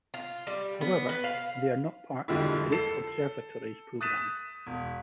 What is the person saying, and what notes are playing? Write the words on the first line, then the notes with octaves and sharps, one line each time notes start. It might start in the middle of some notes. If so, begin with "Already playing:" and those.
However, they are not a part of the Great Observatories program.
F4
G3
B3
B4
F5
F2 D3 F3 G3 G#3 E4
A4 C7 E7
D#6 F#6 A6 B6 D#7 E7
E1